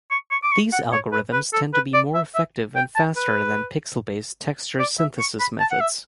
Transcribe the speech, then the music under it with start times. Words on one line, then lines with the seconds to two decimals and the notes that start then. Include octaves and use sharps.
These algorithms tend to be more effective and faster than pixel-based texture synthesis methods.
0.11 C#6
0.31 C#6
0.43 D6
0.52 C#6
0.73 F#5
0.92 C#5
1.13 B4
1.33 B4
1.54 A4
1.74 B4
1.94 D5
2.15 E5
2.35 E5
2.76 G5
2.96 A5
3.16 B4
4.79 D5
4.99 E5
5.19 C#6
5.40 B5
5.60 A5
5.71 F#5
5.81 E5